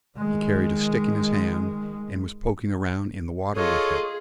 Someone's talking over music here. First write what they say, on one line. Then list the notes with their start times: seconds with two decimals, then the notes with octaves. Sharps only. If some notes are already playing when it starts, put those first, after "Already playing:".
He carried a stick in his hand, and was poking around in the water with it.
0.18 D#3 G#3
3.56 F4 G#4 A4 C#5 D#5